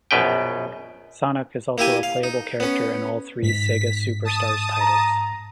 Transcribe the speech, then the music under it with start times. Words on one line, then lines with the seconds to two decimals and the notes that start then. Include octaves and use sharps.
Sonic is also a playable character in all three "Sega Superstars" titles.
0.11 A#1 F#2 B2 B4 G5
1.78 A#3 E4 G4 G#5
2.03 F5
2.23 D#4
2.60 B3 C#4
3.43 G#2 B6
4.25 A5 D#6
4.80 A#5